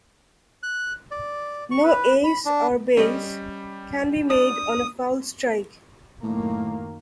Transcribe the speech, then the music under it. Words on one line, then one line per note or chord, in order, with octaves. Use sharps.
No ace or base can be made on a foul strike.
F#6
D5
C#6
B4
B5
D4
G3 C#4 D#5
D4 D#6
F#2 A2 D#3 A#3